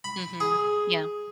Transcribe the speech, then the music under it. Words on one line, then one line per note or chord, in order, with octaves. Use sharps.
Mhm. Yeah.
B5
G#4